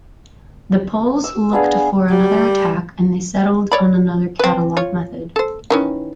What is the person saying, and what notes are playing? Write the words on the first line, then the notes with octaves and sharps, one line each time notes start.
The Poles looked for another attack, and they settled on another catalog method.
E6
B3 D4 G#4 F5
G3
C#5 D5 B5
C4 B4
F4 C#5
A4 C5
D#3 E3 C#4